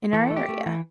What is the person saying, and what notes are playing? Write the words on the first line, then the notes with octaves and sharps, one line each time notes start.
in our area?
E3 A4
A3
G4
A3
E3